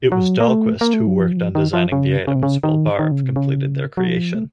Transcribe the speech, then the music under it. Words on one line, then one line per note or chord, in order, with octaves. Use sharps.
It was Dahlquist who worked on designing the items while Barve completed their creation.
F#3
A#3
A3
A#3
A3
F#3
F3
F#3
F3
D#3
F3
C#3
C#3
C3
C#3
D#3
D#3
C#3
C3
C#3
F#3
F3
A3